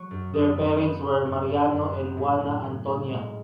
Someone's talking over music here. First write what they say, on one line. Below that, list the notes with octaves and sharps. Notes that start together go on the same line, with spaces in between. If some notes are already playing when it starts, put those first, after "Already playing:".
Their parents were Mariano and Juana Antonia.
Already playing: F#3 C#6
F#2
F#2 D#6
B3 B5
B3
A2
F#2 C#5
F#2
F#2
B3
A2
A2
A2
A2
G#3